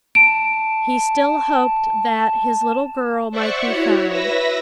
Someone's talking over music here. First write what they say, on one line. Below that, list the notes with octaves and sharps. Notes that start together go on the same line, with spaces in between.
He still hoped that his little girl might be found.
A5 D7
C5 D5 E5 F#5 C#6
E4 F#4 C#5
B4 E5 E6 A#6